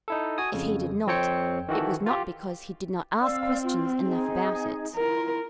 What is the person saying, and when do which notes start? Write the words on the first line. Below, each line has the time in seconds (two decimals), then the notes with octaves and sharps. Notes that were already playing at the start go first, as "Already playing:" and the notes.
If he did not, it was not because he did not ask questions enough about it.
0.08 D#4 E4 A4
0.38 F#4 G#5 D#6
0.53 F2 C#3
1.07 F2 C4 C#5 G5 C#7
1.68 D#3 E3 F#4 A4
2.06 F4 G4
3.21 C4 D5 F5 E6
3.63 F4
4.01 D#4 G#4
4.96 E4 F4 A#4